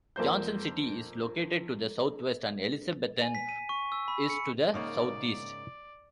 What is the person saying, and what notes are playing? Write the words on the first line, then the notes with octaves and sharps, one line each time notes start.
Johnson City is located to the southwest, and Elizabethton is to the southeast.
F2 A#3 C5 G6
G#5
B6
D#7
C#6
E6
B5
C#7
G#2 C#3 A#3 D#4 A#4 C#5 D5